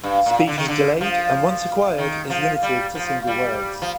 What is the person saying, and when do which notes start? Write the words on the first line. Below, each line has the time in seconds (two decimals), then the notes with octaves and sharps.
Speech is delayed and once acquired is limited to single words.
0.03 G2
0.26 A#2
0.47 D3
0.58 D#3
0.68 D3
1.01 F3
1.98 D#3
2.30 F3
2.63 G3
2.95 F3
3.27 G3
3.82 F3